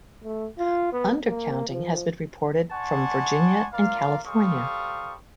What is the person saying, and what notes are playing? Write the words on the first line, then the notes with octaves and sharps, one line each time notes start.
Undercounting has been reported from Virginia and California.
A3
F4
B3
A#3
F3
D5 F#5 G#5 A5 C6 C#6
F4 A#4 D5 F5
G3 A4 C5 F5 C#6 D#6